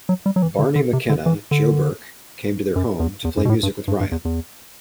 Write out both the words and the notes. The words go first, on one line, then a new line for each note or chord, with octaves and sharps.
Barney Mc Kenna, Joe Burke came to their home to play music with Ryan.
F#3
G3
F#3
E3
D3
D3
C3
D3
E3
D3
F#2
E2
E2
F#2
B2
A2
G2
G2
G2
E2
E2